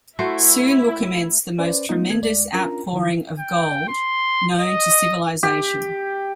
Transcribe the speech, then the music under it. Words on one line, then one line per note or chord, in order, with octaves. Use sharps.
Soon will commence the most tremendous outpouring of gold known to civilization.
A3 E4 F#4 C5
C#4 B4 C5 D5
F#3 G#3 A3 B3 D#4 F4
D#3 B3 A4 G#6
D2 G#3 D5
C#4 D4 F4 A#4 A#5
D#3 F#3 E4
G5
C6
D#5
G4